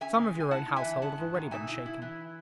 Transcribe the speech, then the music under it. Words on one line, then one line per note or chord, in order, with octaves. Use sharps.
Some of your own household have already been shaken.
C#4 E5 G#5
C#3
G#3
G#5
E4 F#5 A5
E4
E5 G#5
E3
G#2 F#5 A5
G#2
D#3
B2 E5 G#5
E4
E4
E3